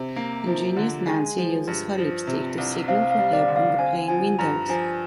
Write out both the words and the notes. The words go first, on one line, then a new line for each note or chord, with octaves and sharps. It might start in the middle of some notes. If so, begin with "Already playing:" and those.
Ingenious Nancy uses her lipstick to signal for help on the plane windows.
Already playing: C3
A#3
F3
D3
G#3 G#5
F3
G2
F3
C3
C2
C4 F5
F5
G3
D5
D3
F5
C4 G#5
F3 G#5
G2 A#5
F3 G#5